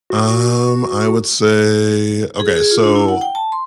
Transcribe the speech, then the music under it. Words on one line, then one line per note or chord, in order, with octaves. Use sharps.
Um, I would say, okay, so,
F#4
G#4
G#4
F4
D4
E4
F#5
G5
A5
C6